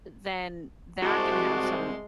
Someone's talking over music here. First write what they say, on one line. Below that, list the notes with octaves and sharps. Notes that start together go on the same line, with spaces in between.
then that can have some
C2 G#3 F#4 A5 C6 D6